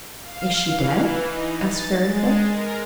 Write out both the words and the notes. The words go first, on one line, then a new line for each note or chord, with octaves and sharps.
"Is she dead?" asked Fairyfoot.
F5
E3
D#4
A6
G#3
A#4